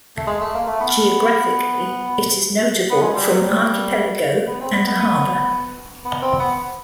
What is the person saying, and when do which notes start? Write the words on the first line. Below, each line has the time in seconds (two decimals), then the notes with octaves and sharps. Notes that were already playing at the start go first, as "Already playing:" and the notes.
Geographically, it is notable for an archipelago and a harbour.
0.17 A3
0.27 G#3
0.41 A3
0.54 A#3
0.67 A3
0.81 B3
2.90 B3
3.02 G#3
3.16 G3
3.29 F#3
3.43 G3
4.47 B3
4.61 C4
4.74 B3
4.87 B3
5.00 B3
6.05 B3
6.22 C4
6.39 B3